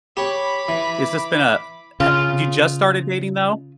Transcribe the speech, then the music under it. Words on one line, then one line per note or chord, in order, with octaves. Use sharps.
Is this been a ha you just started dating, though?
G4 C#5 B5 D6
E3
C#3 F4